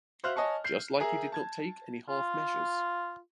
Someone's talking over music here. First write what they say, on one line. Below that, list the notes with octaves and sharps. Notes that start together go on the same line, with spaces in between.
Just like he did not take any half measures.
F#4 C5 E5 F5 F6 F#6
C#5 D#5 G#5 A5 C#6
G6 C7
G#4 A#4 E5 G#5 A#5
A5 G#6
F4